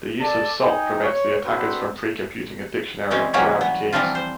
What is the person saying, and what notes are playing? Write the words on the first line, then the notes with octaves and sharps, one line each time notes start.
The use of salt prevents the attackers from precomputing a dictionary of derived keys.
A4 D5 A5
D#4 G5 G#5
C#5
B3 C4 D4 F#4 B4 C5
E3 G3 G#3 C4 C#4
C#3 E3 F#3 G3 A#3 C#4
B3
E3 F3 G3 A3 C4 F4
C5